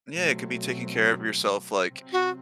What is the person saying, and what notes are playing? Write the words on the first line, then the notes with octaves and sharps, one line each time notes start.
Yeah, it could be taking care of yourself like,
B2 F#3 A3 C4
C3 F#3 C4
F#4